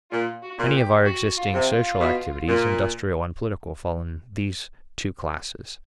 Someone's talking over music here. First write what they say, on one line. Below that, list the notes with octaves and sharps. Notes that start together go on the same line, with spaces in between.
Many of our existing social activities, industrial and political, fall in these two classes.
A#2 F4
F#4
A#2
G4
F#4
F4
C3
F4
B2
A#2